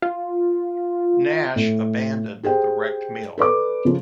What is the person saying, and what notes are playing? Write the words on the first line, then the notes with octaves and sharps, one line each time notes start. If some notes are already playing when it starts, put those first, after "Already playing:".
Nash abandoned the wrecked mill.
F4
A2
G4 G#4 C5 G5
A4 B4 D5 D6
C#3 F3